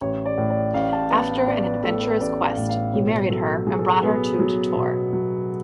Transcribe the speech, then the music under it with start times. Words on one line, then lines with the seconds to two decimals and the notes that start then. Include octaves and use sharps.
After an adventurous quest, he married her and brought her to Chittor.
0.01 A1 C#5
0.26 D5
0.38 A2
0.50 D5
0.74 A1 F5
0.93 A5
1.11 B3 A5
1.29 F5
1.47 B3 D5
1.65 B4
1.84 A2 A4
2.02 B4
2.20 A1 D5
2.45 F5
2.57 A2
2.69 F5
2.93 B2 C#5
3.30 F#3 A4
3.67 F#3 G#4
3.79 A4
3.91 G#4
4.03 B3
4.39 F#3
4.76 B2
5.13 F#3